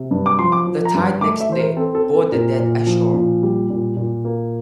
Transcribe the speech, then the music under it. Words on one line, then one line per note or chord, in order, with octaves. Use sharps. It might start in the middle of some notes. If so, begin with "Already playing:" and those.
The tide next day brought the dead ashore.
Already playing: C3
G2
D6
F3 C6
D6
F3
A#5
G2
A3 D6
E5
E3 C5
A#4
C4 A4
A4
C4
A4
A#2 A#4
A#2
F3
A#2
G3
A#2
A#2
A#3